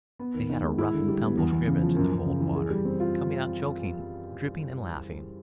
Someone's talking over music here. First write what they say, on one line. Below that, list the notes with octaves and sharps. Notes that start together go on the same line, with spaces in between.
They had a rough and tumble scrimmage in the cold water, coming out choking, dripping and laughing.
B3
D#2
D#3
G#3
E4
D3
G3
B3
E2
E2
C#3
F3
F#2
F#2
C#3
E3
G#4
G3
C4
F4